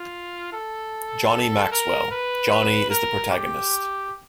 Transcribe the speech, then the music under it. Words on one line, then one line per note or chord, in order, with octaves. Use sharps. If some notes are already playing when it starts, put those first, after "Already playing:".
Johnny Maxwell - Johnny is the protagonist.
Already playing: F4
A4
A#4
B4
A#4
G4